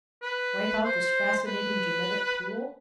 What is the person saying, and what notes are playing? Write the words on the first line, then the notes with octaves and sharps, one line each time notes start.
Wipe out this fascinating genetic pool?
B4
C5
B4